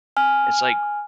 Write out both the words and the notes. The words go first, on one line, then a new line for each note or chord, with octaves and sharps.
It's like, eh,
G#5 F6